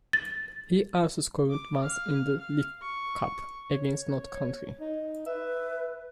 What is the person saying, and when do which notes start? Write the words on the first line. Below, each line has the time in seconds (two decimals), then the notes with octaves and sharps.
He also scored once in the League Cup against Notts County.
0.13 A6
1.50 D6
1.83 F5
2.39 F5
2.82 C#6
3.72 C#5
4.80 D#4
5.26 B4 E5